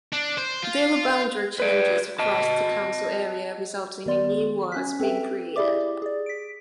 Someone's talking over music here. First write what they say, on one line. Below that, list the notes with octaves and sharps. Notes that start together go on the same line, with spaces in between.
There were boundary changes across the council area resulting in new wards being created.
D4
C5
F4
B4 D5
D#5 A5
D#3 B3 D5 C6
C#4 F#6 B6
C4 A4 B4 E5 G5
E4 G4 G#4 D5 E5 D6
G#4 D5
B6 D7